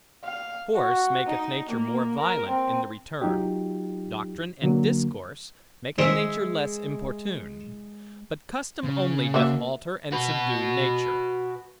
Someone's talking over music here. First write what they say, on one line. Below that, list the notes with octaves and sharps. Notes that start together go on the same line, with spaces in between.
Force, maketh nature more violent in the return; doctrine and discourse, maketh nature less importune; but custom only doth alter and subdue nature.
F5
F#4
D#4
A#3
A#4
C4
F#3 D#4 F4 G4
D3 F#3 A#3
D#3 G#3 C4 C#4 E5
C#3
A#3 F#4 E5
F#4 B4